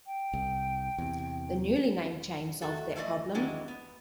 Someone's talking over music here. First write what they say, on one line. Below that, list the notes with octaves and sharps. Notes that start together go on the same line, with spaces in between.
The newly named chain solved that problem.
G5
C2
E2 C3
A3 F#4 A4
E3 A3 A4 C5 D5 D#5
D#3 E3 F#3 G#3 D4
B3